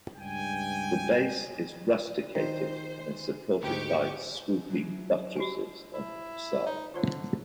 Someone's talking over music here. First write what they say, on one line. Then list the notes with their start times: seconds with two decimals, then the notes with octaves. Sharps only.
The base is rusticated and is supported by "swooping buttresses" on each side.
0.17 C#2 G2 G5 G#5
2.35 D#3 C5
3.63 D2 G#2 G4 C#6 D6
4.70 F#3 E4
5.36 F#4 G4 G#5
5.94 E4
6.66 D#4 C#5
6.94 D3 F4 C5 C#5